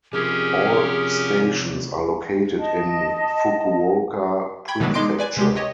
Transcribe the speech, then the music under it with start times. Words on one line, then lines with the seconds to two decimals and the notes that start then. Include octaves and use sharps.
All stations are located in Fukuoka Prefecture.
0.13 C3 F3 C#4 G4 G#4 A#4
2.59 D#5 A5
4.68 G5 B5 G#6
4.80 B2 D#3 E3 F#3 B3 D4
4.94 G#3 D#4 D#5 C6 D6 D7
5.19 B4 D5 G#5
5.37 C3 G#3 G4
5.56 G4 C#5 D#5